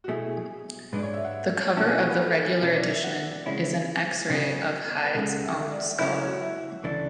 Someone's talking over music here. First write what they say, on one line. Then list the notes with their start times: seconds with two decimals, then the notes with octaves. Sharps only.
The cover of the regular edition is an X-Ray of Hyde's own skull.
0.04 F#4
0.08 B2 A3 E4 G#4
0.22 G#4
0.36 G#4
0.92 G#2 G#3 D4 B4
1.03 C#5
1.14 E5
1.25 F#5
1.77 B2 F#3 C#4 E4 A5
1.87 G#5
1.98 C#5
2.09 B4
2.19 A4
2.62 B2 F#3 C#4 E4 B4
2.75 D5
2.90 E5
3.04 F#5
3.46 C#3 E3 G#3 C#4 E4
4.30 C#3 F#3 B3
5.03 B4
5.15 C#2 C#3 G#3 A4
5.29 F#5
5.43 E5
5.57 E5
5.71 D5
5.85 E5
5.99 C#3 F#3 A3 C#4 E4 E5
6.13 C#5
6.27 F#4
6.41 E4
6.84 D2 C#3 E3 A3 D4